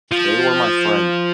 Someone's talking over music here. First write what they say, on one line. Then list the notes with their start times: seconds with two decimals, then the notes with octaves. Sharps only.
They were my friend.
0.11 F3